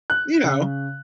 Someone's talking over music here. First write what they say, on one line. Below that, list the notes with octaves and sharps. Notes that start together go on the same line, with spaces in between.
you know,
F#6
C#3